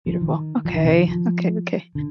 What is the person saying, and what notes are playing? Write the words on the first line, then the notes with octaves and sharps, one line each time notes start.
Beautiful. Okay. Okay, okay.
F3
D#3
F3
D#3
C3
D#3
F3
D3